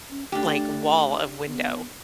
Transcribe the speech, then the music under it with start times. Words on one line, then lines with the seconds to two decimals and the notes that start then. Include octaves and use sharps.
like, wall of window
0.10 C#4
0.32 A3 D4 G4
1.46 B3